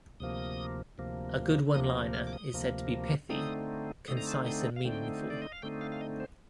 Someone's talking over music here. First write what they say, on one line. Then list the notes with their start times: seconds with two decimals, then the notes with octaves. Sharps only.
A good one-liner is said to be pithy - concise and meaningful.
0.20 D2 C3 F3 A#3 D#6
0.98 D2 C3 F3 A#3
1.74 D2 C3 F3 A#3 D#6
2.13 F6
2.27 D6
2.33 D#6
2.53 D2 C3 F3 A#3
3.30 D3 A3 C4 D#4 D#6
4.08 D3 A3 C4 D#4 D#6
4.17 A#5
4.27 A5
4.46 D#6
4.76 F5
4.85 D3 A3 C4 D#4 G5
5.30 D5
5.42 D#5
5.52 F5
5.62 D3 A3 C4 D#4 G5
5.81 F5
5.92 F5
6.01 D#5
6.20 C5